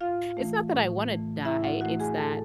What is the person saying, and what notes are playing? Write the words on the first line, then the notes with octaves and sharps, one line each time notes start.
It's not that I wanna die it's that
A2 F4 F5
E3 A3
A2
E3 A3
A2 E4 E5
F#4 F#5
E3 A3 F#4 F#5
G#4 G#5
A2 A4 A5